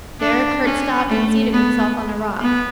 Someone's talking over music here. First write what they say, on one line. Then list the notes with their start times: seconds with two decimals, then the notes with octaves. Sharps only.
There Kurt stopped and seated himself on a rock.
0.20 D4
0.64 C#4
1.08 A3
1.52 B3
2.41 B3